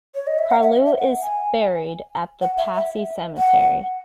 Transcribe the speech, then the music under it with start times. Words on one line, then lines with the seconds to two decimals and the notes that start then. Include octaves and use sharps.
Carlu is buried at the Passy Cemetery.
0.15 C#5
0.27 D#5
0.38 E5
0.51 F#5
0.63 E5
0.86 E5
0.98 F#5
1.22 G#5
2.41 F#5
2.58 E5
2.75 E5
3.38 F#5